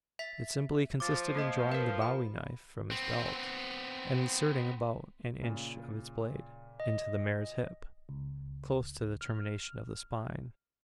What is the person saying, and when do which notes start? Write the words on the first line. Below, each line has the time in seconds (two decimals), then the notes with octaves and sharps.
It simply consisted in drawing the bowie knife from his belt, and inserting about in inch of its blade into the mare's hip, close to the termination of the spine.
0.19 E5 B6
1.00 F3 D6 A6
1.35 A3 A#3 D#5
1.72 A#4 B4
2.02 B5
2.91 B3 C4
5.42 A#2 C#3
6.80 D#5
8.09 C#2
9.21 F6